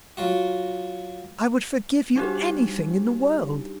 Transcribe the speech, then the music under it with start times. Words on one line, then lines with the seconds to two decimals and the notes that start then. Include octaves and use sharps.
I would forgive you anything in the world!
0.17 F#3 F4 F#4
2.16 G3 D4 D#4 F#4 G4